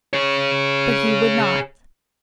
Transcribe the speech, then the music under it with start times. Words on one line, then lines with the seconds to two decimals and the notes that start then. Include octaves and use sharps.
But he would not.
0.13 G#4 C#5